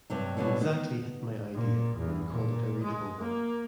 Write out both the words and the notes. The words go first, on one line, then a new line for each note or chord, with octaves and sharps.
You exactly hit my idea, when you called it a readable one.
G2 C3 F#3
B2 D3 F#3 G3 B3
B3 D#4
A#2
E2
A#2
G#3
A#3